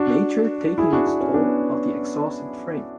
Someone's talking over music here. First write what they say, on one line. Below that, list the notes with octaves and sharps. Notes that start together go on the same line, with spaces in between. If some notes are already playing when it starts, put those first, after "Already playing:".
Nature taking its toll of the exhausted frame.
Already playing: D4 F#4
E4 G#4
D4 F#4
D4
C#4
B3 D4